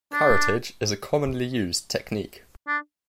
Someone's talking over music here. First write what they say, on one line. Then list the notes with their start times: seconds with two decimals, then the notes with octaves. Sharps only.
Curettage is a commonly used technique.
0.13 D4
2.68 D4